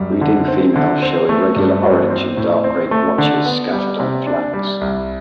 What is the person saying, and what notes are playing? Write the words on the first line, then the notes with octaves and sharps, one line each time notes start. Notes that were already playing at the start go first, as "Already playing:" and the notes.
Breeding females show irregular orange and dark grey blotches scattered on flanks.
Already playing: F#2 G3
D3
C4
D3
C4
A3
G2
F#4
C4
A2
C4
A3
D3
B3
G3
C3
D4
G3
C2